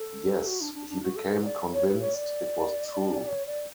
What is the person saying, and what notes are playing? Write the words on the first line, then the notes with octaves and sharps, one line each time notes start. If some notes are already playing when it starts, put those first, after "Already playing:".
Yes, he became convinced it was true.
Already playing: A4
F#4
D4
D4
D4
F#4
A4
B4
D5
C#5
B4
C#5
D5
C#5
D5